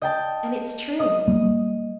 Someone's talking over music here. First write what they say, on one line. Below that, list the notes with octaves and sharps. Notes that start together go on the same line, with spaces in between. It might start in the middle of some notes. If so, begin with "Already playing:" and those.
And it's true.
D#5 G5 A5
D#5 D#6
G3 A#3